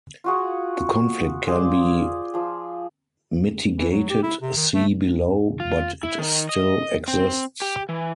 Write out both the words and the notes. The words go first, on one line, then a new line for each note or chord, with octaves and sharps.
The conflict can be mitigated-see below-but it still exists.
F4 F#4 G#4
F4 G#4 C5 D5
F3 G#4
E3
F#3
G4
E4
C3
D#3
A3
F4
E4
D#3
D#5
C4
G4
E3